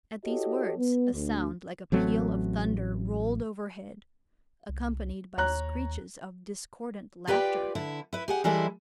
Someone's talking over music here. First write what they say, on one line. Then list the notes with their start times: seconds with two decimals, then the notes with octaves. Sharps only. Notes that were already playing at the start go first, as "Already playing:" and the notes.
At these words a sound like a peal of thunder rolled over head, accompanied by screeches of discordant laughter.
0.24 E4 F#4 G4 A4 C#5 D#5
0.78 B3
1.13 D2
1.92 A1 F#3 A3 C4
4.69 C2
5.38 D#2 C#5 A#5 F#6
7.27 F4 G4 B4 D5 G5
7.75 D3 E4
8.13 E4 B4
8.28 G4 G#4 F#5
8.44 E3 G3 G#3 E4 A4 C5